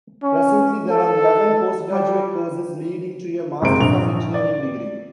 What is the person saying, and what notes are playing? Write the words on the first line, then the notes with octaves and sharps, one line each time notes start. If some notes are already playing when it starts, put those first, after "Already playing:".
Presently there are eleven post-graduate courses leading to a Masters of Engineering degree.
C#4
A4
G3
F#1 C3 D7
A#1 G2 F7
D5